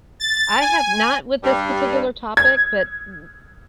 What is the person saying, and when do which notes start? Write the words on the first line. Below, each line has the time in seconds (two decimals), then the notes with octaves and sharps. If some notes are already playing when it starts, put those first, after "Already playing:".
I have not with this particular topic, but y
0.20 A6
0.61 G#5
1.44 G2 G3
2.37 G#6